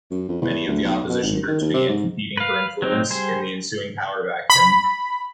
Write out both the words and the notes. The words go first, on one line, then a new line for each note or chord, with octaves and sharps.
Many of the opposition groups began competing for influence in the ensuing power vacuum.
F#2
F2
E2
D2
B1
B2
G#1
D#3
D#2
C3
G#2
B4 F5
F#3 C4 D#4
G3 G#4 C5
B5